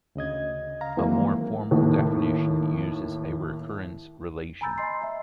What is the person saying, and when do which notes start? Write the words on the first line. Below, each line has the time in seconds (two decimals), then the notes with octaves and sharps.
A more formal definition uses a recurrence relation.
0.15 D2 C#3 D#5 G#6
0.81 F5 A#5
0.97 D#3 E3 F#3 G#3 A#3 C4
1.71 D#2 A2
4.61 G#5 A#5 B5 E6 G6 A6
4.78 D#5 G#5 A#5 C6 C7
5.02 D#5 E5